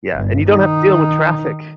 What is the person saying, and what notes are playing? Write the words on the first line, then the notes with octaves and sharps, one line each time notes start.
Yeah, and you don't have to deal with traffic,
G1
D#3 D#4